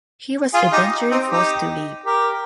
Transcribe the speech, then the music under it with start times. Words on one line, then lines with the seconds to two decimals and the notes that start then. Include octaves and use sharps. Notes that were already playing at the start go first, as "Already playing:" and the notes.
He was eventually forced to leave.
0.54 F4 G#4
0.73 D#4 G4
1.11 C4 D#4
1.30 D#4 G4
2.06 G4 A#4